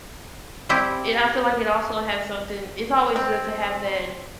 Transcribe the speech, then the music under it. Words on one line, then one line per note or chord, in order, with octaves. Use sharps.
Yeah, I feel like it also has something it's always good to have that
G3 C4 E4 G4
C4